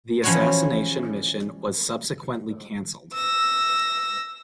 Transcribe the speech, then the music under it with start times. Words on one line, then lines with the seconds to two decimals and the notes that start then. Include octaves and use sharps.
The assassination mission was subsequently cancelled.
0.24 E3 F3 C#4 E4 F#4 C#5
3.13 E6 A#6